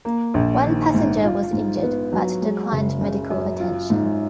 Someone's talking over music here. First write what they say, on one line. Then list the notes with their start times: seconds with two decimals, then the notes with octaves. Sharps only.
One passenger was injured, but declined medical attention.
0.05 A#3
0.34 A#1
0.65 D#3
0.94 G#2
1.24 F4
1.53 G#2
1.83 B3
2.12 F#3
2.42 G#3
2.72 F#1
3.01 C#3
3.30 F#2
3.60 F4
3.90 G#2